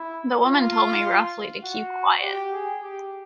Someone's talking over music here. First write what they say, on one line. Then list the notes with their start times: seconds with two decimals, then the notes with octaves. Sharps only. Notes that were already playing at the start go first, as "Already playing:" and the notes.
The woman told me roughly to keep quiet.
Already playing: E4
0.44 F4
1.63 F#4
2.22 G4
2.52 G#4
2.82 G4